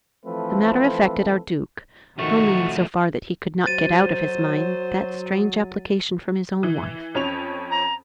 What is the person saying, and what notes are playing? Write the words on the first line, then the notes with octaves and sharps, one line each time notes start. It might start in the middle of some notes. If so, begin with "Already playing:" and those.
The matter affected our Duke,--only in so far that he could not get out of his mind that strange application from his own wife.
E3 F3 A3 C4 A4 B4
D#3 F3 A3 F#4 C#6
F#3 C5 A6 D#7
E3
F2 C#4 F7
A#5